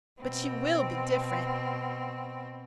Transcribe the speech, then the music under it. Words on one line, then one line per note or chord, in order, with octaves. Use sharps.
But she will be different.
B2 C4